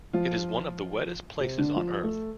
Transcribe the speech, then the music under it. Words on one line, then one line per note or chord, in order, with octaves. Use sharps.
It is one of the wettest places on earth.
F3 F4
C3 C4
D3 D4
F3 F4
A3 A4